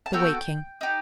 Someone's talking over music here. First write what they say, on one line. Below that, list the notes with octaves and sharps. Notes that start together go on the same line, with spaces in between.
The Waking.
A5
B3 F#4 A4 G5
D#4 G4